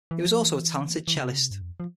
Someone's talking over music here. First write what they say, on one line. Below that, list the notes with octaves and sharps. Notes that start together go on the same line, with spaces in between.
He also was a talented cellist.
E3
F3
E3
E3
C#3
C3
C#3
C3
G2
F2
F3